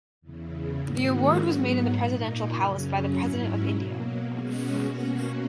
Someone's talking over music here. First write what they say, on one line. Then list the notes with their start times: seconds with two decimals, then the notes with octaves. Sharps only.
The award was made in the Presidential Palace by the President of India.
0.21 E2 C#3 E3
0.79 G#2 D#3 A#3 C#4 F#4
1.37 G#2 F#3 B3 F#4
1.95 A#2 A#3 D#4
2.52 F#2 C#3 F#3 C#4
3.09 G#2 F#3 C#4 E4
3.66 B2 F#3 A#3
4.25 B2 G#3 C#4 F#4
4.82 B2 A#3 C#4 F#4